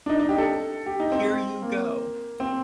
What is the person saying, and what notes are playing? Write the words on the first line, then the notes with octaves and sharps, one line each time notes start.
Here you go.
D4
D#4
D#4
G4
A4
G4
D#4
C4
A#3
C4